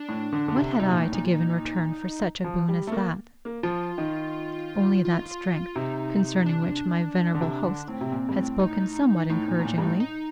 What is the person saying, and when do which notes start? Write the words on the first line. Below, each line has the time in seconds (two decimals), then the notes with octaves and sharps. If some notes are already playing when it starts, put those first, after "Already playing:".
What had I to give in return for such a boon as that? Only that strength concerning which my venerable host had spoken somewhat encouragingly.
Already playing: D4
0.09 A2
0.33 D3
0.48 D3
0.56 C3
0.80 C3 D#4
0.91 A#2
1.01 A2
1.12 A#2 D#4
1.25 F4
1.34 D#4
2.44 F3
2.68 G3
2.87 A3
2.92 A#3
3.45 A#3
3.63 F3 F4
3.98 D#3
5.05 F4
5.76 C3 D#4
6.46 D4
7.34 D3
7.41 C3
7.64 D3
7.88 A2 C4
8.01 C3
8.12 A#2
8.29 G2
8.36 A2
8.60 D#4
9.30 A2 D#4
9.48 A#2
9.59 A2
9.65 A#2
9.78 G2
9.83 A2
10.00 D#4